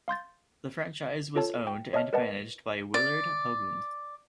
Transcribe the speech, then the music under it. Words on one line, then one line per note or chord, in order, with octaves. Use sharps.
The franchise was owned and managed by Willard Hoagland.
F5 C6 G6 A6
F4 A4 C#5 A5
G5
C#5 D#5 E5 A5 F6
A#4 B4 D5 D#5 F#5 A5
D5